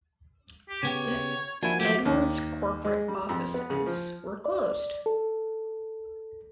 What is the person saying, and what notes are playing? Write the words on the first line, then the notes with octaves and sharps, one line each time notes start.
The Edwards corporate offices were closed.
G4
C#3 B3 G4 C#5
F3 A#3 D4 E4 F#4 G#5
F#3 A3 G4
D#2
G#3
G3
F2
B3
C#3
F3
D5
A4